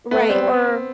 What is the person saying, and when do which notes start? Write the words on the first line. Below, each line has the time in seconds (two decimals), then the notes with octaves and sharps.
Right, or
0.11 A3 B3
0.30 G3 C4
0.41 G3